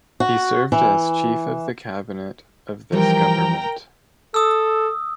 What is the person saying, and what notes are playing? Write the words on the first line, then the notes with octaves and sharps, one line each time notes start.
He served as Chief of the Cabinet of this government.
F#4
E3
E3 F3 G3 A#4 G5 A#5
A4 D#6 E6